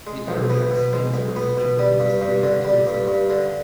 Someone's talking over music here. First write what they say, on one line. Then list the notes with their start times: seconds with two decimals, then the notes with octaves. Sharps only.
The area is famous for its chocolate industry and tourism.
0.07 G#3
0.28 B1
0.50 B3
0.71 B2
0.93 G#3
1.14 B1
1.36 B3
1.57 B2
1.79 G3
2.00 G2
2.21 G2
2.43 D3
2.65 G3
2.87 G2
3.08 G2
3.30 D3